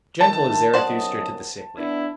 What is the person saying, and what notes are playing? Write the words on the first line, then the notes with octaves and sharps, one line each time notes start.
Gentle is Zarathustra to the sickly.
D#3 A3 A5
B1 F#2 C5 D5 D#5 F#5
B3 D4 E4